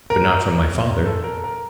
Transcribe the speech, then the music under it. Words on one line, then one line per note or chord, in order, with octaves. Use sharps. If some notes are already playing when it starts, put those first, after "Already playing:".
But not from my father.
A#4
A#4
A4
A#4
A#4